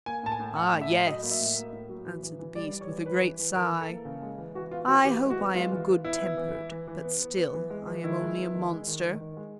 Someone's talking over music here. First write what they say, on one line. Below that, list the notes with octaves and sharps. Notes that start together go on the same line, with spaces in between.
"Ah! yes," answered the beast, with a great sigh; "I hope I am good-tempered, but still I am only a monster."
A#3 G#5
A2 A5
G#5
A2
A2 F#5
A2
E5
A2
F#3 D#5
A#3
E5
A2
A#3
A2
F#3
E3
E3
E3
G3 D5
G3
C#5
E3
E3 B4
E3
E3
E3 A#4
E3
A4
A#3
C#3
G#3
E3
E3 F#4
B3 F4
E3 F#4
E3 G4
G#3
F#4
B3
G#3 F4
E3
E3
B3 E4
B3
E3
E3
E3
E3
B3
B3
B3
E3
G#3
E3
D#3 E4
G#3
B3
D#3
G#3
D#3
D#3
D#3
G#3